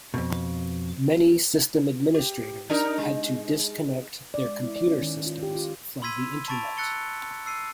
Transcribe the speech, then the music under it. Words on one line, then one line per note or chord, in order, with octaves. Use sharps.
Many system administrators had to disconnect their computer systems from the Internet.
F2 B2
G4
D4 D#4 A#4
G#3
D5
G#3
E4
D5
C#4
D#3
F4
G4
F4
B5 C6 E6 G#6 B6 D#7
A5 B5 C#6 A6 D7 F7
E6 F#6 A6 C#7 G7
E6 C7 D#7